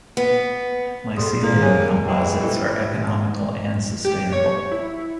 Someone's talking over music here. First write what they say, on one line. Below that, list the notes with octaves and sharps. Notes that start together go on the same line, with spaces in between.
Mycelium composites are economical and sustainable.
B3
G3 G#4 A4 C6 D#6
A#3 G#4 C5 D5
F#3 G3 G#4 C#5 G#5
E3 G#3 G5 B5
G3 E4 A4 C5
G4
C#5
E4